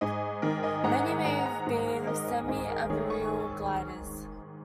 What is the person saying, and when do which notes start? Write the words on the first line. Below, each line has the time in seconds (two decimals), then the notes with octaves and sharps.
Many may have been semi-arboreal gliders.
0.01 G#2 D#5 G#5
0.42 D#3 A#4
0.63 D#5 G#5
0.84 G#2 F#5 A#5
1.13 G#5
1.25 G#2 F#5 A#5
1.45 F#5 A#5
1.66 G#2 G#4
1.87 A#4
2.07 D#3 A#4 D#5
2.28 D#5 G#5
2.48 G#2 D#5 G#5
2.69 A#4
2.90 D#3 G#4 C#5
3.10 G#5 C#6